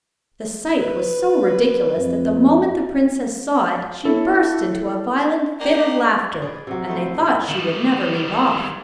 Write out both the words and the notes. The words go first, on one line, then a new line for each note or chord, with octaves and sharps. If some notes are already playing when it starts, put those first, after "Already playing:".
The sight was so ridiculous that the moment the princess saw it she burst into a violent fit of laughter and they thought she would never leave off.
B4
F2
E4 A4 C#5
A#3 D4 G4
G#4 B4 D5
C3 F#3
A3 D#4 E4 C5
D#3 G3